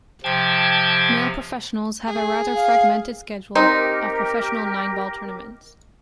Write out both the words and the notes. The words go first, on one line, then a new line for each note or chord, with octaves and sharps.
Male professionals have a rather fragmented schedule of professional nine-ball tournaments.
C3 F3 G5 A5 G#6
G#4
F5
C4 D#4 G4 A#4